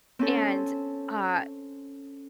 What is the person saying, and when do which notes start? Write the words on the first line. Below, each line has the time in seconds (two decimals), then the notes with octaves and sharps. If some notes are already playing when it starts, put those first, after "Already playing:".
And, uh,
0.19 C4 C#4 A4